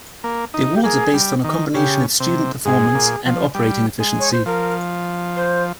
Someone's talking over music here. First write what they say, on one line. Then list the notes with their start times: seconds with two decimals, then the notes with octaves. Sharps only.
The awards are based on a combination of student performance and operating efficiency.
0.24 A#3
0.54 D#4
0.74 G4
0.83 A#3 G#4
1.14 G3
1.44 D#3
1.74 C#3 G4
2.20 C3
2.65 G#2 G#4
2.95 A#2
3.26 F3
3.55 G3
4.00 G#3
4.19 C#5
4.32 C5
4.46 F3 A#4
5.36 C5